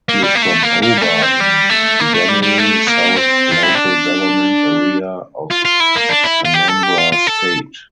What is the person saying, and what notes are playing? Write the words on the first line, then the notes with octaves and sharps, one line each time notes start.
He is from Oba in Idemili South Local Government Area of Anambra State.
A#3
G3
A#3
A3
A#3
A#3
G3
A3
C4
G3
A3
A#3
A3
G3
G3
A3
A#3
C4
F4
E4
D4
F4
F4
E4
A#3
D4
E4
F4
G4
A4
G4
F4
F4
A4